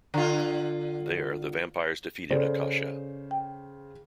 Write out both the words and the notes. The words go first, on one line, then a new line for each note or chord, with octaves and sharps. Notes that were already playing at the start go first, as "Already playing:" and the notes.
There, the vampires defeated Akasha.
D3 F4
C#3 A4 C5 D5
G5